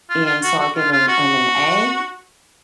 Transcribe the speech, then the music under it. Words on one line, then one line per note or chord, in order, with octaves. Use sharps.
And so I'll give m him an egg
F4
F4
F#4
F#4
F4
F4
F#4